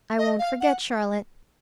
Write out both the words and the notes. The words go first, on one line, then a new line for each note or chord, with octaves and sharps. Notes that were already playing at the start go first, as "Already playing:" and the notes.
'I won't forget, Charlotte.'
D#5
F5
F#5